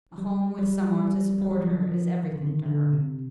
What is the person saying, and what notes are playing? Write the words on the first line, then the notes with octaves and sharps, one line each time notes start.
A home, with some one to support her, is everything to her.
G3
G3
G3
G3
F#3
F3
F#3
F3
D#3
D3
D#3
D3
C3